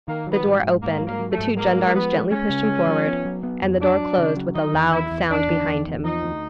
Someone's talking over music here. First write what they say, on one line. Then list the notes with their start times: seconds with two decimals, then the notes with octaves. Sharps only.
The door opened, the two gendarmes gently pushed him forward, and the door closed with a loud sound behind him.
0.08 D#3 A#3
0.27 F#3
0.33 B3
0.45 G#2
0.64 G#2
0.83 G#2 A#3
1.01 F#3
1.07 A#3
1.19 F#3
1.32 A3
1.38 G#2
1.57 G#3 A#3
1.76 G#3
1.87 A#3
1.94 F3 B3
2.13 G#3
2.31 G#3 C#4
2.50 C#3
2.69 G#3
2.87 F3
3.06 B3
3.25 F#3
3.43 B3
3.62 F2
3.80 F#3 D4
3.99 F#3
4.18 C#3
4.37 F#3
4.55 D#3 D#4
4.74 E2
4.92 E2 E4
5.11 E2
5.30 E2 D4
5.48 D#3
5.67 E2
5.86 E2
6.04 F3 D#4
6.23 D2